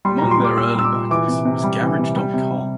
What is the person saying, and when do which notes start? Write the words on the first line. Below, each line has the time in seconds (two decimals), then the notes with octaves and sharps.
Among their early backers was Garage dot com.
0.05 G3 C6
0.18 A#5
0.22 A#2
0.31 C6
0.40 G3 D6
0.57 A#2 E6
0.75 G3 E6
0.84 D6
0.93 A#2
1.10 E3 D6
1.28 C3
1.45 C3
1.63 G3
1.82 E3
1.99 C3
2.16 G3
2.34 C3
2.51 G3